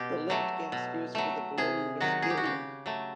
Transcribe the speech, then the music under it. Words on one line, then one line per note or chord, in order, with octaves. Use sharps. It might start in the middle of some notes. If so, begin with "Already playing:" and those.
The lift gas used for the balloon was helium.
Already playing: B2 G4
F#3 A3
B2
F#3 A3
C3 G#4
D#3 F#3 F#4
G#4
G4
F#4
C#3 G4
F#3 A3